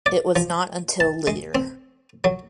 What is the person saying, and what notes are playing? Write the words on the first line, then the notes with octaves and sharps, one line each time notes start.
It was not until later.
D5
F3
A5
G#3
C4
F#3